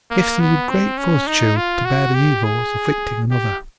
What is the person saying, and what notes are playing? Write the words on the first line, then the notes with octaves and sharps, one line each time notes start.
Gifted with great fortitude to bear the evils afflicting another.
A#3
B3
C4
C#4
D#4
F4
F#4
G4
G#4
G4